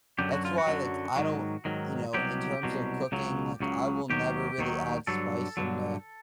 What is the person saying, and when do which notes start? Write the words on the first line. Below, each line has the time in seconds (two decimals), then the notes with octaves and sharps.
that's why like, I don't, you know, in terms of cooking, like, I will never really add spice in the
0.19 F#2 D3 F#3 G4
0.32 F#4
0.45 F4
0.58 F#4
0.67 F#2 D3 F#3
1.16 G#2 D#3 F#3
1.65 G#2 D#3 F#3
2.14 C2 B2 F#3 G4
2.63 C2 B2 F#3
3.12 C#2 C#3 F#3
3.60 C#2 C#3 F#3
4.10 D#2 D#3 F#3 G4
4.58 D#2 D#3 F#3
5.07 G2 D3 F#3 A4
5.57 G2 D3 F#3